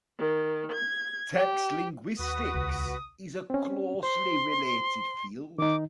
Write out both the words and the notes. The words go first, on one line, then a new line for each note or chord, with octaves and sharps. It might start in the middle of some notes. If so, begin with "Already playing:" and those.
Text linguistics is a closely related field.
D#3
G#6
G4
D#2 F#4 B4 D#6
C#2
C4 C#4
C5 C6
D#3 D#4 D6